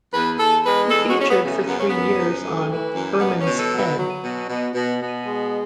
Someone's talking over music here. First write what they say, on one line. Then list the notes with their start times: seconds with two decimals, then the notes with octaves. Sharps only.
He featured for three years on "Herman's Head".
0.13 E2 B4
0.39 E2 A4
0.64 G#3 B4
0.91 E2 A4
1.10 F#4
1.16 E2 C#4
1.29 B3
1.42 C#3
1.48 A3
1.67 F#2 B3
1.79 C#4
1.88 B3
1.94 F#2
2.19 F#2
2.44 E3 A3
2.70 E3
2.95 F#2
3.20 B2 B3
3.40 C#4
3.47 B2
3.59 A4
3.71 F#3
3.79 B4
3.98 F#3
4.24 B2
4.49 B2
4.74 B2
4.99 B2
5.26 G#3